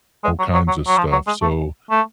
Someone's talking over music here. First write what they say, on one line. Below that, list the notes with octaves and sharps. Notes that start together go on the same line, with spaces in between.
all kinds of stuff, so,
G#3
F#3
F#3
F#3
F#3
F3
F#3
G#3
A3
A3